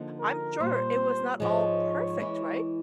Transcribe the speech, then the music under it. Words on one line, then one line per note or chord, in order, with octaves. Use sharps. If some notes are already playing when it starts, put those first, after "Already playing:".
I'm sure it was not all perfect, right?
Already playing: D3 F3 A#3 D#4
A#4
A#2 G3 A#3 C5
G#2 F3 G#3 C#5
E3 G#3 C#4 E4